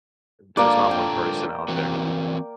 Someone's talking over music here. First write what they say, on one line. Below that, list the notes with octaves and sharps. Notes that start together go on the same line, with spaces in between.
there's not one person out there who
A#3 D4 F4 A4 D5
G5
E3 C4 F#4